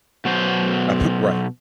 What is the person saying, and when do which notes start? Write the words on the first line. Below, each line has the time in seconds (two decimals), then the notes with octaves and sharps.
I've Right,
0.25 B2 F#3 C5